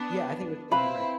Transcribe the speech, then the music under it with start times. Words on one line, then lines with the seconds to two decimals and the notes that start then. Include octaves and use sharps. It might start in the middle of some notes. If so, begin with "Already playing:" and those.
Yeah, I think that's totally right.
Already playing: B3 D4
0.71 C4 E4 B4 F5 B5